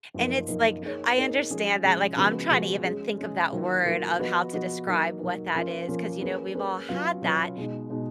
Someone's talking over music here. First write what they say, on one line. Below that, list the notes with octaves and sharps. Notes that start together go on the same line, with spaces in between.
And it's like, I understand that, like, I'm trying to even think of that word of how to describe what that is, 'cause, you know, we've all had that,
F#2 F3 A#3 D#4 A#4
F#2 F3 A#3 D#4 A#4
A#3 D#4 G#4 C#5
A#3 D#4 G#4 C#5
F3 G#3 C#4 G#4
F3 G#3 C#4 G#4
C#3 F3 G#3 B3 F#4
C#3 F3 G#3 B3 F#4
G#3 C#4 G#4
G#3 C#4 G#4
D#3 F#3 A#3 F4 A#4
D#3 F#3 A#3 F4 A#4
F3 B3 F#4 B4 D#5
F3 B3 F#4 B4 D#5
F#3 A#3 D#4
F#3 A#3 D#4
F3 A#3 C#4 F4
F3 A#3 C#4 F4
A#3 C#4 G#4 B4
A#3 C#4 G#4 B4
F#3 C#4 F4 B4 F5
F#3 C#4 F4 B4 F5
B2 G#3 D#4
B2 G#3 D#4